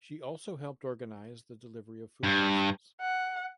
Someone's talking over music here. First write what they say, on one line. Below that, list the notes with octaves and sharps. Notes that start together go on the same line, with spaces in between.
She also helped organise the delivery of food parcels.
G2
F#5